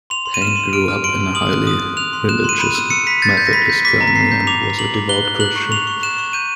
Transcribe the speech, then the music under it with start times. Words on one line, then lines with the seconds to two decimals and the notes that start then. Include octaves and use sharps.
Payne grew up in a highly religious Methodist family and was a devout Christian.
0.10 C6 F7
0.26 C6
0.34 D#7
0.41 F6 E7
0.57 C6
0.73 F6 D7
0.88 F6
1.04 C6 D7
1.20 C6
1.35 D#6 F#7
1.50 F#6
1.67 D#6
1.82 F#6
1.97 F#6 F7
2.13 C6
2.29 F#6 E7
2.44 C6 D#7
2.59 B5 E7
2.75 E6 D#7
2.90 E6 C#7
3.07 B5 B6
3.22 G6 A6
3.37 G6
3.47 A#6
3.53 B5 B6
3.70 G6
3.85 D6 B6
4.01 A#5
4.08 B6
4.15 A#5 C7
4.32 G6
4.47 D6 F7
4.63 A#5
4.78 D6 F#7
4.94 D6
5.09 F#6 G7
5.25 F#6
5.40 F#6 F#7
5.56 C#6
5.71 C#6 F7
5.87 C#6
6.03 F#6 E7
6.18 C#6
6.33 G6 D#7